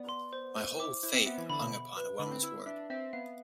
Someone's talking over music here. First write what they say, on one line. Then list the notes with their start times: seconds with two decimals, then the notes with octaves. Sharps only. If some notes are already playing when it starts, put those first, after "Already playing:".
My whole fate hung upon a woman's word.
Already playing: B3 D5
0.09 C6
0.33 C5
0.56 C5
0.79 E4 D6
1.03 E4 C5
1.14 C4
1.26 B3 E5
1.38 E3
1.49 D3 B5
1.62 B2
1.73 B5
1.97 B4
2.19 D3 B5
2.31 C4
2.43 E4 E6
2.66 D4 E5
2.90 C4 E5
3.13 B3 F5